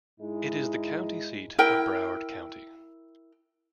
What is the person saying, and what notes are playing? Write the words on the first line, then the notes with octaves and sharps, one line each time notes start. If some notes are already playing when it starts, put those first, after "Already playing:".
It is the county seat of Broward County.
G#2 G#3 D#4 E4
E4 A#4 G5